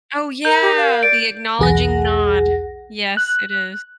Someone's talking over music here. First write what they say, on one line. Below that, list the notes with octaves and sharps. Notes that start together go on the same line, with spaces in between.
Oh, yeah, the acknowledging nod. Yes, it is.
A#4 A#5 G6
G4
F5
D5 D7
B1 E2 G#4 F#5 A#6
F#6